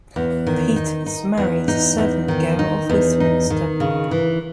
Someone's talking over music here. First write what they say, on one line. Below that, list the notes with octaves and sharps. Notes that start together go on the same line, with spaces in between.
Peters married a servant girl of Westminster.
E2
D#3
D#4
D#4
E2
D#4
E2
D#3
D#4
E2
D#4
D#3
C#3
E3